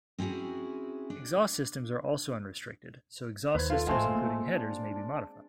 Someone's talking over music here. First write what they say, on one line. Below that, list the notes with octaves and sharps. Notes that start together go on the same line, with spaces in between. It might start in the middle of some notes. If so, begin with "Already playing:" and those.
Exhaust systems are also unrestricted, so exhaust systems including headers may be modified.
C4 C#4 E4 F#4 G#4
D4
D#2 B4 C5 G#6
F4 A4
G#1 A2 G#3 A3 C4 F5 A5 C6
A#3
D4